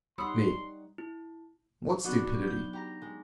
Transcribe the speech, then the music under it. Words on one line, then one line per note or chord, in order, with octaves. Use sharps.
ME: What stupidity?
G3 D#4 C#5 F#5 B5 C6 D#6 E6
E4
F#3 B3 D4 D#4 F#4 D5
G6
G4 A#5
G#3